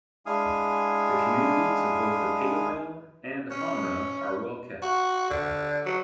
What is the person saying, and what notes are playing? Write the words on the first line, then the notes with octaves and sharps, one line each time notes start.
The communities of both the papermill and Hamra are well kept.
G#3 D4 E4 F5 G#5 D#6
C#4
F#4
D3
F#3